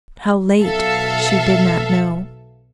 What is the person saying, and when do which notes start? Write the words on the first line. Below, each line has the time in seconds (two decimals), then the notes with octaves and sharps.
How late she did not know.
0.61 B1 A4 E5 F5